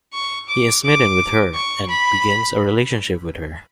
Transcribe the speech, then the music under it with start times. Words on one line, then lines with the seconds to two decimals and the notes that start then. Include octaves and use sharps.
He is smitten with her and begins a relationship with her.
0.14 C#6
0.49 D6
0.84 D6
1.54 C#6
1.89 B5